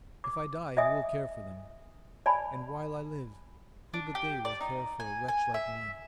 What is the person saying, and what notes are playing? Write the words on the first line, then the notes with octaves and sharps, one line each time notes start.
If I die, who will care for them, and while I live who but they will care for a wretch like me?
D6
D#5 E5 G#5 D#6
D5 G#5 A5 B5
D4
G4
D5
D#4
G#5
G#5
E5